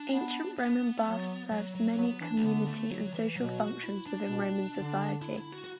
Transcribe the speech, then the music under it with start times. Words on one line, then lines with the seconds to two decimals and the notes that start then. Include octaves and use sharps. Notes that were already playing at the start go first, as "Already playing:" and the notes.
Ancient Roman baths served many community and social functions within Roman society.
Already playing: D4
0.12 B3
0.58 B3
1.05 F#3
1.51 F#3
1.75 F#3
1.98 F#3 B3
2.21 E3 D4
2.37 A3
2.44 D3 B3
2.68 A3
2.90 F#3
3.14 E3
3.36 B2 F#3
3.60 F#4
3.83 E4
4.06 D4
4.29 B2
4.75 D3
5.22 E4
5.37 E4
5.52 F#4
5.64 F#4